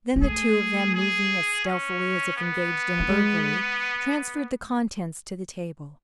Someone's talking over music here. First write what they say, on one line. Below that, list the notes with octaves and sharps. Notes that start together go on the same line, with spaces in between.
Then the two of them, moving as stealthily as if engaged in a burglary, transferred the contents to the table.
B3
A3 G#4
G#4
C#4
B3
A3
G#3